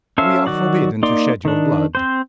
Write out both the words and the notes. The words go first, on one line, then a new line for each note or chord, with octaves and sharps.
"We are forbidden to shed your blood."
C#4 A4 C5 E5 F5
D#3 F#3 F#4 D5
A#3 D#4 D5 C6
D#3 D4
C4 C5